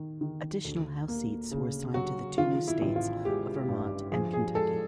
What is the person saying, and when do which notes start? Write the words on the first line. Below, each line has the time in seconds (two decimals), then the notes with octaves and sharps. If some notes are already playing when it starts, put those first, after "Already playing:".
Additional House seats were assigned to the two new states of Vermont and Kentucky.
Already playing: D#3
0.21 D#3
0.64 D2
1.08 A#3
1.51 C#3
1.94 F#3 F#4
2.38 D#3 F4
2.68 E4
2.82 A1
2.96 F4
3.25 G#3 G4
3.69 G2
4.12 F3 G#4
4.33 G#4
4.55 G#3 A4